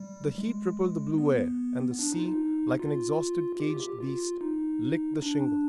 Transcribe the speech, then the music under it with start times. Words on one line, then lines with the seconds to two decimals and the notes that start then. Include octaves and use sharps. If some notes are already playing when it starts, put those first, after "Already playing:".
The heat rippled the blue air, and the sea, like an exhausted caged beast, licked the shingle.
Already playing: G3
0.31 G3
0.38 G#3
1.18 B3
1.99 D4
2.12 D#4
2.19 F4
2.26 D#4
2.79 F4
3.60 G4
3.70 F4
3.80 G4
4.00 F4
4.41 D#4
5.22 D4